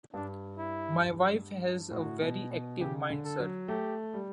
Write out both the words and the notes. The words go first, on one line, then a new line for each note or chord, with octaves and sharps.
My wife has a very active mind, sir.
G2 D4
E4
A2 F#4
B2
B2
C#3 G4
D3
A4
F#3
A3 G4
G3